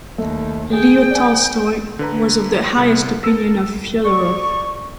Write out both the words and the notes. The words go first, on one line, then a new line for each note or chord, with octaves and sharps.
Leo Tolstoy was of the highest opinion of Fyodorov.
D#2 A3
G#4 G5
D5 G#5
D3 B4 A#5
C2 B3
A4 A#4 E6
D5 C#6